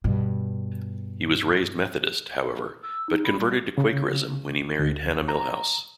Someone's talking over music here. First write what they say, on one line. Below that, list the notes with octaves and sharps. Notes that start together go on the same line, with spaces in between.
He was raised Methodist, however, but converted to Quakerism when he married Hannah Milhous.
G2 B2
E6
D#4
B5
G3
C#3
D2
A#5